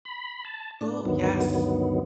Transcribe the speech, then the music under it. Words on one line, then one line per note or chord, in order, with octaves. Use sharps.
Ooh, yes.
B5
A5
A2 D4
D2 G2 D#3 F#3 B3